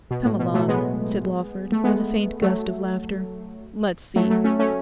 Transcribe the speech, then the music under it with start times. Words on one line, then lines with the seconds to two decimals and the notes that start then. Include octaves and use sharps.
'Come along,' said Lawford, with a faint gust of laughter; 'let's see.'
0.11 B2
0.25 A2
0.39 B2
0.54 F#3 A3
0.68 G#3 B3
1.72 A3
1.84 G#3 B3
2.42 F#3 A3
4.16 F#3 A3
4.30 F#3 A3
4.44 A3 C#4
4.59 A3 C#4